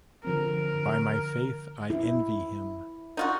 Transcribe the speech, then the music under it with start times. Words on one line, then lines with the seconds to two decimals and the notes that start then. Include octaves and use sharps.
By my faith, I envy him.
0.25 D3 F3 C4 A#4
1.90 E4
3.17 D#4 F4 F#4